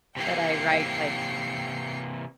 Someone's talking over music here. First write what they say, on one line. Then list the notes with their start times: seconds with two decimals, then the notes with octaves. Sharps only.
that I write, like,
0.17 C3 E3 A#3 G5 C7 C#7